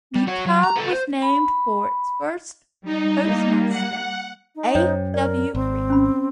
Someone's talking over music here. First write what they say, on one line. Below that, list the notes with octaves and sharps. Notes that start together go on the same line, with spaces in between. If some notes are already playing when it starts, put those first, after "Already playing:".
The town was named for its first postmaster, A. W. Green.
G3
F#4 C#5
F#3
A#5
B3 A4
C5
B5
G3 D#4
G3 A#3
F#5
D#4
F#2 C5 C#5 G5
A#4 D5
G#1 C4
C#4 B5